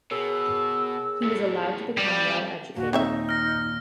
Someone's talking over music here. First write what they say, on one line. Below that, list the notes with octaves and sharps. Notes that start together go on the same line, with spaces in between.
He was allowed to become well-educated.
B2 G#4 A#4 C#5 E6
E2 A2
F2 G3 D5
D#2 A#2 F#4
C4 D#4 C#5 E5
F6 A#6